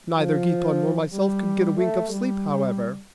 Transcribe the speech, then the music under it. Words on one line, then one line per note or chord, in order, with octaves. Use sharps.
Neither Giton nor myself could get a wink of sleep, however.
F3
G3
A3
G3